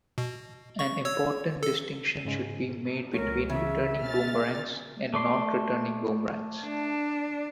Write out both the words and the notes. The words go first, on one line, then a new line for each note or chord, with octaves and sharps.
An important distinction should be made between returning boomerangs and non-returning boomerangs.
B2
C#6
C#5 E6
A4
G#2 C#3 G#3
C#2 F#3 A3 A#4 C#5
C#3 E3 E5
B2 F6 A6
A3 D5 C6
D4